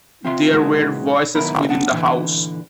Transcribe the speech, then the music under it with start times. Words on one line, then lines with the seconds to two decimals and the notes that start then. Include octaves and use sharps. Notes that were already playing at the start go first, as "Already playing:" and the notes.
There were voices within the house.
0.25 C4 F4 E5 C6
0.50 A#2 C#3 E3 G#3 D#4 F#4
1.35 F#2 B2 D#3 E4 A#4 B5
1.69 B3 D4 F#5
1.89 A#2 D3 E3